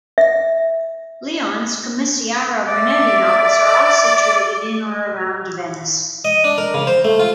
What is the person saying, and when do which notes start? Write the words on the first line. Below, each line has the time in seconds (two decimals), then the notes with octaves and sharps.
Leon's Commissario Brunetti novels are all situated in or around Venice.
0.18 E5
2.68 D5 E5
6.25 D#5
6.44 D4
6.58 A#4
6.74 C#3
6.87 C5
7.05 A3
7.20 F4